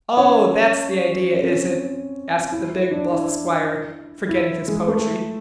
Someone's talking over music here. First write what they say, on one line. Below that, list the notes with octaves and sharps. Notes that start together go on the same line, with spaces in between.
"Oh, that 's the idea, is it?" asked the big bluff Squire, forgetting his poetry.
C#4
C#4
C4
C#4
E4
E4
D4
E4
E4
G#3
A3